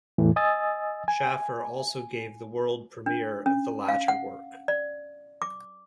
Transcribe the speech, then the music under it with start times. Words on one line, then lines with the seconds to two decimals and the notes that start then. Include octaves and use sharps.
Shaffer also gave the world premiere of the latter work.
0.18 E2 A2 E3
0.36 D#5 G#5 D#6 E6 A6
1.08 G#5
3.06 D4
3.46 C#4
3.89 F5
4.08 F#5
4.68 D5
5.42 D6